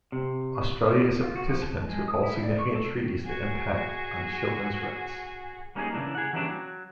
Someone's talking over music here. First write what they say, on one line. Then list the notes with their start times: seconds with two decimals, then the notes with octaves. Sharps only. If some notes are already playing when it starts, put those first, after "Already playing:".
Australia is a participant to all significant treaties that impact on children's rights.
0.12 C3
1.23 F4
1.36 F#4
1.47 F3
1.62 A5
1.87 G#3
2.08 D#6
2.23 E4
2.43 D5
2.59 C#6
2.75 A4
2.93 D#3
3.25 F#4 G#4
5.75 G3 A#3 C#4 D#4 G4 G#4
5.93 C#3 E3 G#3 D4 E4 A#4
6.15 G#4 F#5
6.33 E3 F#3 G3 A#3 C#4 D4
6.48 F#3